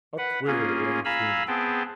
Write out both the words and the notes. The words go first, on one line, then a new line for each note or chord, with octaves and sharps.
A quiver ran through me.
B4 F#5
A#3 C#4 F4 G#4
F5 G#5 A#5 B5 E6
B3 C4 G#4 G5 A5